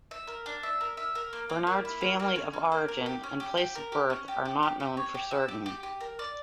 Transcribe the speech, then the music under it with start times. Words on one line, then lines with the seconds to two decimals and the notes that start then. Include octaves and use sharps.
Bernard's family of origin and place of birth are not known for certain.
0.11 E5
0.27 A#4
0.46 D4
0.63 E5
0.81 A#4
0.97 E5
1.15 A#4
1.33 A#3
1.50 A#3
1.67 A#3
1.85 E4
2.01 A#3
2.20 A#3
2.36 C#4
2.53 C#4
2.72 A#3
2.88 A#4
3.06 G4
3.23 C#4
3.40 G4
3.57 G4
3.75 A#4
3.92 G4
4.10 C#4
4.28 G4
4.45 G4
4.63 G4
4.80 G4
4.97 C#5
5.14 G4
5.31 E5
5.48 G4
5.66 G4
5.83 G4
6.01 A#4
6.19 D5